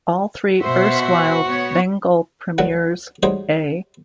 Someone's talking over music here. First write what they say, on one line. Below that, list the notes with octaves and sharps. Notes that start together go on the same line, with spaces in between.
All three erstwhile Bengal premiers-A.
B2 F#4 C5 E5
B3 C#5
D2 D3 F#3 A#4 F#5
G3 G#3 D#4 F#4 C5 C#5